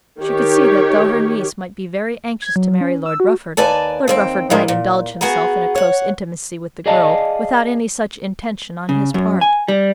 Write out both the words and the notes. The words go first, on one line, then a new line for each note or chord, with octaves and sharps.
She could see that though her niece might be very anxious to marry Lord Rufford, Lord Rufford might indulge himself in a close intimacy with the girl without any such intention on his part.
D#3 G4 C#5
G#6
F#3
C#4
E6
F#4
D#2 B4 D5 G#5 A5
D#2 C4 G5
A2 F3 G3 G#3 D4 A#4
A#2
B3 F#4 G#4 F#5 G#5 A#5
C#5 F#5
G#4 D5 D#5 F5 A5
C#3
F#2
G#5
G3